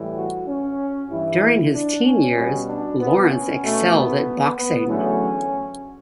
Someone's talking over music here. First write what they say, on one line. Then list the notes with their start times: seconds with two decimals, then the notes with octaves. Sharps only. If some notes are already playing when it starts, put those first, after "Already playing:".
During his teen years, Lawrence excelled at boxing.
Already playing: A2 E3 G3
0.16 F#4
0.47 C#4
1.10 G2 E3 G3 E4
1.73 D4
2.05 C#4
2.36 B2 G3
2.68 D4
2.99 B3
3.30 C#4
3.62 B2 A3
3.93 B3
4.57 B3
4.88 E2 D3 F#3 A3 C#4